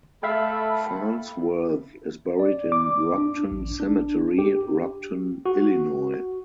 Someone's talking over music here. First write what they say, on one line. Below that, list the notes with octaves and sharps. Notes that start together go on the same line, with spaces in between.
Farnsworth is buried in Rockton Cemetery, Rockton, Illinois.
A3 A4 E5 F5 G5 B5
D5
D6
D4
A1
D4
G4
F#4